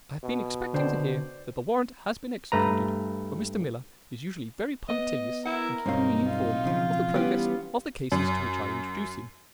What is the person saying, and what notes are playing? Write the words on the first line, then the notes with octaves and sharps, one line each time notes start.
I have been expecting to hear that the warrant has been executed, for Mr. Miller is usually very punctilious in keeping me informed of the progress of the cases to which I introduce him.
B2
D3 C5 D5 G5
G2 A3 B4 A#5
B3 D#5
E4 A#4 F#5
B1 G2 C4 D#4 C#5 F5
F4
C#3 F3
E3 G3 B3 C#4 G4 B4
F#2